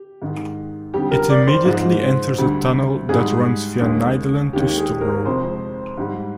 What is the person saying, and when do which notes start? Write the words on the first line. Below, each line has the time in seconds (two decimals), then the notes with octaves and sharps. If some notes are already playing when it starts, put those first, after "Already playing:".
It immediately enters a tunnel that runs via Nydalen to Storo.
Already playing: G4
0.22 G#2 D#3 G#3
0.94 F2 D3 G3 G4
1.11 A#4
1.30 D5
1.47 C5
1.65 G#2 F3 G#3
2.38 D2 D3 G3
3.09 G#2 G3 G#4
3.81 D#2 D3 G#3
4.53 D#2 D#3 G#3 G4
4.68 G4
4.78 G#4
5.01 A#4
5.25 F2 C3 F3 G#3 C5
5.98 G#2 G3